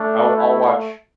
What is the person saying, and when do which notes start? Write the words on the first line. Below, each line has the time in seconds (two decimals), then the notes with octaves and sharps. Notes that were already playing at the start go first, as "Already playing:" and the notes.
I'll I'll watch
Already playing: A3 D4
0.36 E4